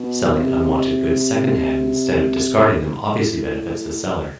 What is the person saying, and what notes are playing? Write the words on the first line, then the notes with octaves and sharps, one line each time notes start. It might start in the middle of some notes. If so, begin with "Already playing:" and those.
Selling unwanted goods secondhand instead of discarding them obviously benefits the seller.
Already playing: B2
C3
A2